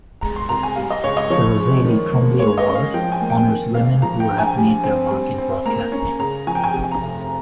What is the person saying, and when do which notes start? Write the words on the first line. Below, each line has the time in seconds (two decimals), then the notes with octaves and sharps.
The "Rosalie Trombley Award" honours women who have made their mark in broadcasting.
0.21 G#3 A#5
0.36 C6
0.49 C2 A#5
0.63 G#5
0.76 G3 F5
0.90 D#5
1.04 C#2 C#5
1.17 D#5
1.30 F3 C#5
1.58 G#3
1.85 D#3
2.12 A#3
2.39 G#3 C#5
2.58 D#5
2.67 C#4
2.75 F5
2.94 F3 G5
3.12 G#5
3.21 A#3
3.30 G5
3.48 D#3
3.75 G#1 F5
4.02 F3 A#5
4.20 G5
4.30 A#1
4.39 G#5
4.57 G3
4.84 C4
5.11 G3
5.38 C4
5.66 A#3 A#5
5.92 C#4
6.19 C#3 A#5
6.47 F3 G#5
6.55 G5
6.64 G#5
6.74 C3
6.91 A#5
7.01 F1